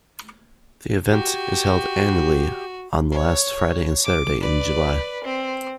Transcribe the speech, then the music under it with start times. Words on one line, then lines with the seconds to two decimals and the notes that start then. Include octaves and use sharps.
The event is held annually on the last Friday and Saturday in July.
1.10 F#4 G4
3.12 C#5
4.04 D6
4.41 B4 D5
5.24 C4